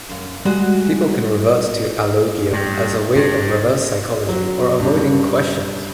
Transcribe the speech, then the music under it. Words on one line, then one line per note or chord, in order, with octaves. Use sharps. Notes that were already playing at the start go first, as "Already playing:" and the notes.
People can revert to alogia as a way of reverse psychology, or avoiding questions.
F#2 F5
G3 G#3 F#4
G2
G2
F#3
G2